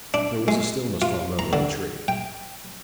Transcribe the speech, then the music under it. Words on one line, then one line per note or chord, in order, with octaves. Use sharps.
There was stillness for a moment in the tree.
D4
G#3
F4
A#5
D3
G5